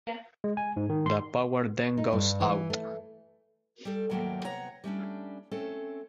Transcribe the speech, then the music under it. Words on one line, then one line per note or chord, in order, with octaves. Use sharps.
The power then goes out.
G#3
G#5
G#2
D#3
C6
D#4
G2
E3
A3
G3 A4
D#2 G#2 F#3 A3 A#3 G5
C3 B3 C#5 F#5 A#5
G3 A3 C#4 D4
A3 C4 C#4 A4